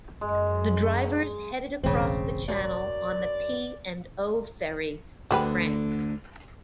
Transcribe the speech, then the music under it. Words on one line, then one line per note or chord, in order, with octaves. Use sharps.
The drivers headed across the Channel on the P and O Ferry to France.
F#2 G#3
E1 A1 C#3 C4
F#2 D5
D2 D3 F#4 G4 B4